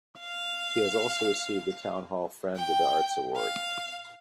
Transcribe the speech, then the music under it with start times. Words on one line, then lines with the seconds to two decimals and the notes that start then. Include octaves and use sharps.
He has also received the Town Hall Friend of the Arts Award.
0.19 F5
2.56 G5
3.36 F5